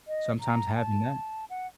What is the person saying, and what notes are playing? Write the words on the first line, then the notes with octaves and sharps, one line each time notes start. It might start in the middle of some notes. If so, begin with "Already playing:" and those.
sometimes having that
D#5
A#5
A5
F#5